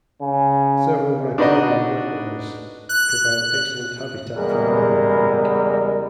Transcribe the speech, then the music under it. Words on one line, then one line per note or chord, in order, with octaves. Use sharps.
Several riparian wetlands provide excellent habitat for northern pike.
C#3
D4 D#4 F#4 B4 D5 D#5
F#6
E2 C#3 G3 G#3 A#4